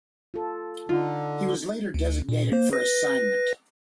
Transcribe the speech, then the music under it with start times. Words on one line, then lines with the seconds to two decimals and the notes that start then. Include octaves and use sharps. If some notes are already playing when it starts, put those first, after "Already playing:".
He was later designated for assignment.
0.34 F4 A4
0.89 D3 D#4 F4
1.94 D2
2.29 A#2
2.52 A#3 C5
2.73 B4 A#6